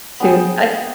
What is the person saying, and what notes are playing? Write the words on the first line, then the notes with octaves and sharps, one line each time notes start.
soon, I s
B3 D4 G#4 G5